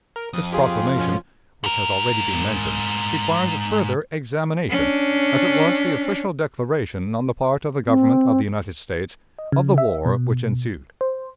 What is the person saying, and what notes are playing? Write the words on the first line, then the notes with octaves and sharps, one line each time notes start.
This proclamation, which has already been mentioned, requires a further examination, as it was the official declaration, on the part of the Government of the United States, of the war which ensued.
A#4
F2 D#6
F4 G4 G#4
B2 F3 C#4
G#2 A#4
C#4 D4
C4
D#5
C#3
E5
B2
C5